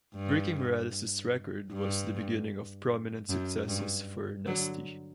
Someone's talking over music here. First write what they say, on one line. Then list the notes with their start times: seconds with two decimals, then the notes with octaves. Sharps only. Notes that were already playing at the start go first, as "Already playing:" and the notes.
Breaking Morales's record was the beginning of prominent successes for Nesty.
0.15 G2
1.73 G2
3.29 F#2
3.68 G2
4.46 D3 F#3